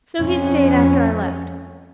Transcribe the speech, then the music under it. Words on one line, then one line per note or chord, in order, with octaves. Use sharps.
So he stayed after I left.
F2 C#4